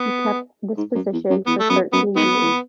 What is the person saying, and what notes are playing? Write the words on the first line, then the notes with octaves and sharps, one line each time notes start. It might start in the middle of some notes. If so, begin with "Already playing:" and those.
He kept this position for thirteen years.
Already playing: B3
G#2
F#2
E2
F#2
E2 B3
A3
F#2 B3
F#2 B3
G#2 D#3 B3
E2